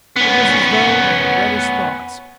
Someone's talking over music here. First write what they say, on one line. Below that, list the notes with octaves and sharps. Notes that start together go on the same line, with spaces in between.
It was as though they had read his thoughts.
B3 C#4